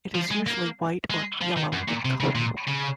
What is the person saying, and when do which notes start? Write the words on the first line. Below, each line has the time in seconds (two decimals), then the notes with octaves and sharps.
It is usually white or yellow in colour.
0.15 F3
0.31 G#3
0.47 A#3
1.10 G#3
1.42 F3
1.57 D#3
1.73 F#2
1.88 A#2
2.05 C3
2.20 C#3
2.35 A#2
2.68 C#3